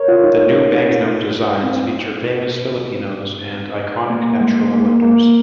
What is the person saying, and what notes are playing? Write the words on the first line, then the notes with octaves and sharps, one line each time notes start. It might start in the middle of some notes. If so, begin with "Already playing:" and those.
The new banknote designs feature famous Filipinos and iconic natural wonders.
Already playing: A#4 C#5
F4
D#4
C4
A#3
G#3
G#3
A#3
A#3